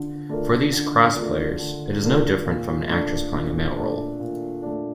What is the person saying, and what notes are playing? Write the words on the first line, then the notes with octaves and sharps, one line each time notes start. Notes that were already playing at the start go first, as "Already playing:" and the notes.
For these crossplayers, it is no different from an actress playing a male role.
Already playing: D3 D4 F4
A3 D4 F4 A#4
D3
A3 D4 F4 A#4
D3
A3 D4 F4 A#4
A#2
A3 D4
A#2
A3 D4
A#2
A3 D4